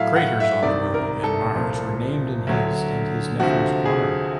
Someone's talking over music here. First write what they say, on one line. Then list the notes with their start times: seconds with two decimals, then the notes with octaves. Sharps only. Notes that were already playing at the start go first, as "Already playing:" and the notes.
Craters on the Moon and Mars were named in his and his nephew's honor.
Already playing: A2 F#3 E5 F5
0.16 F#5
0.40 E5
0.62 C2 C3 D#3 D5
0.94 A#4
1.24 A4
1.55 C2 A#2 F3
2.47 D2 D3 F#3
3.40 D2 C3 F3 F#4
3.86 G#4